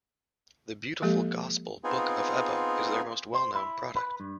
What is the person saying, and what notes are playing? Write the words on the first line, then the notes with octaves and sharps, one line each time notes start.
The beautiful Gospel Book of Ebbo is their most well known product.
F3 G#3 A#3 G4 A4
B3 C4 D#4 F4 G#4
C5
E4
B4
G2